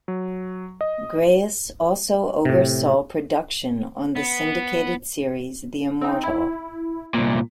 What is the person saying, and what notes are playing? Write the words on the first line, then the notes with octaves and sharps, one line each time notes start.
Grais also oversaw production on the syndicated series, "The Immortal".
F#3
D#5
A2 C3
B3
C4 D#4
E4
C2 A#2